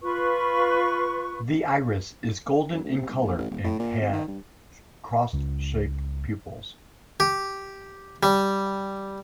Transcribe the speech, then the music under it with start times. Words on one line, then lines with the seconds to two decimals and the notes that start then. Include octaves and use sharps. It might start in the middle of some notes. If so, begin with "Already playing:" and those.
The iris is golden in colour and it has cross-shaped pupils.
0.01 F4 B4 C#6
2.72 F#2
2.84 D2
2.97 C3
3.09 G1
3.22 A#1
3.38 A1
3.51 D#1
3.64 A2
3.79 A#2
4.01 G#1
4.13 D#3
4.28 G2
5.33 C#2
7.20 G4
8.23 G3